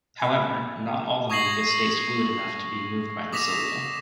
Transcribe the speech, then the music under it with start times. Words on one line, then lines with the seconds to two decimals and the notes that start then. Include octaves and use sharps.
However, not all the mucus stays fluid enough to be moved by the cilia.
0.20 G#5 B5 E6
1.30 C#6 D#6 G#6 A#6 C7 F#7
3.33 D6 D#6 A#6 B6 E7 F7